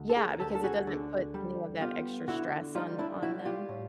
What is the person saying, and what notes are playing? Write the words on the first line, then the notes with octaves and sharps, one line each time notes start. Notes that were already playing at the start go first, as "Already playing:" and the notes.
Yeah, because it doesn't put any of that extra stress on on them.
Already playing: D2
A4
G#4 A#4
D2 G4 A4
A4
F#4 G#4
D3
G3
B3 F4 G4
D3 E4 F#4
G3 D#4 F4
D4 E4
G3 E4 F#4
F4 G4
A2